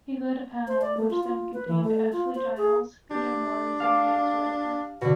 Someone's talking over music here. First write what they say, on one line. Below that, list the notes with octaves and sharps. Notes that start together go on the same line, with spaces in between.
He led a panel, which then contained Ashley Giles, Peter Moores and James Whitaker.
C5
D5
A3
F4
F4
B4
E3
A3
F4
C5
G#4
D4 G4
F5 A5 D6
B2 D3 F#4